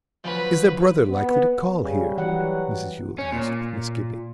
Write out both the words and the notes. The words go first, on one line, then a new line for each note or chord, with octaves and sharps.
'Is their brother likely to call here?' Mrs Yule asked, with misgiving.
F3 F#3 B4
B3
C#3 G3
E3 F#3 F#5
C#4
A#2